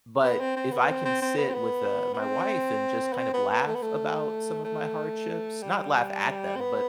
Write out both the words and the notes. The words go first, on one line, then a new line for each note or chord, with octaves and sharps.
But if I can sit with, uh, my wife and just kind of laugh about some of my hardships, not laugh at them but
B3
C4
C4
B3
C4
C4
C4
B3
C4
B3
B3
C4
B3
C4
B3
B3
A3
B3
A3
A3
G3
C4
B3